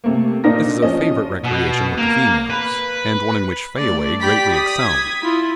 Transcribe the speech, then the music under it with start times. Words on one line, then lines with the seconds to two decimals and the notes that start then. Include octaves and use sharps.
This is a favourite recreation with the females and one in which Fayaway greatly excelled.
0.04 C3 A3 A#3
0.44 A#2 D4 D#4 F4 A#4 A#6
0.82 F3 C#4 D#5
1.44 B2
1.97 A#3
2.50 B4
3.77 A3 D5
4.20 G4 D5 B5 B6
4.52 D#6 B6
4.83 G#6
5.23 E4 F4